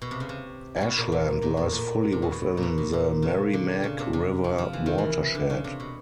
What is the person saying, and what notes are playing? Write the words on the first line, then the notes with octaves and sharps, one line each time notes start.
Ashland lies fully within the Merrimack River watershed.
B2
C3
C#3
C3
B2
A#2
A#2
A#2
A2
A#2
C3
B2
B2
A#2
B2
A#2
A#2
C#3
D3
C#3
C3
C3
F3
F3
E3
D#3
E3
D3
C#3
C3
B2